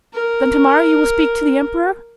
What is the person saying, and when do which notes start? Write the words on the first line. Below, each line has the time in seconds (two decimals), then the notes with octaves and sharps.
"Then tomorrow you will speak to the Emperor?"
0.13 A#4